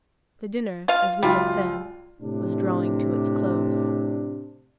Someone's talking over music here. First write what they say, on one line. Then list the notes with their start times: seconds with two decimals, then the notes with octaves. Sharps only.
The dinner, as we have said, was drawing to its close.
0.88 F4 F5
1.23 C#2 F#2 G3 F4
2.20 A2 C3 D4